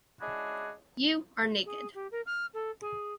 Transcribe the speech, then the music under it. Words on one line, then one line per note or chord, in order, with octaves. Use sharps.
You Are Naked.
G#3 C#4 D4 E4 F#4 G#4
G#4
G4
A#4
F6
A4
G#4